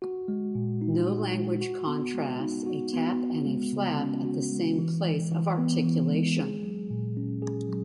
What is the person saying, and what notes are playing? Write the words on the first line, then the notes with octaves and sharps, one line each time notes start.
No language contrasts a tap and a flap at the same place of articulation.
F#4
G#3
A#2
D#4
F#4
G#3
F#4
B3
G#3
D#4
F#4
B3
F#4
G#3
C#3
C#4
F#4
G#3
E3
G#3
E3
B3
E3
G#3
G#4
F#3
A#2
C#4
G#4
F#3